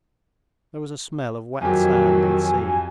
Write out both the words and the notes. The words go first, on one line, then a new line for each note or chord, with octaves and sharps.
There was a smell of wet sand and sea.
F2 D#3 F#3 G4 G#5